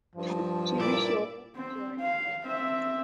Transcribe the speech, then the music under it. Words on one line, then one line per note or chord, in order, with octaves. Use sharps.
To be sure,’ rejoined the landlord.
G2 F3
A#2 E4 D5
C4
F5
C4 E5